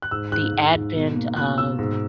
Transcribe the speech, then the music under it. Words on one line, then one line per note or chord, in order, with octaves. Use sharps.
the advent of
F#6
G#2 E6
G#2 F#6
G#2
G#2
B2
A#3
B2 F#6
B2 E6
G#2